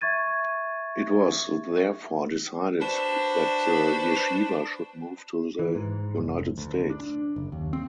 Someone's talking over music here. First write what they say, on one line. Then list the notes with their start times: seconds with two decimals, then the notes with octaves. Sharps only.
It was therefore decided that the yeshiva should move to the United States.
0.01 E5 C#6 G#6 A6 D#7
2.81 D4 F#4 B4 C5 D5
5.59 E3
5.75 G#2
6.17 F1
6.58 D2
6.90 D4
7.36 F#1
7.52 D#2
7.73 C4